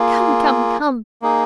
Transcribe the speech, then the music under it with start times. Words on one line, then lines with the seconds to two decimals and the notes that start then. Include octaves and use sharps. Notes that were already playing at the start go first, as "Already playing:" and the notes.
'Come, come, come!
Already playing: A#3 F4 G#4
1.22 A#3 D#4 G#4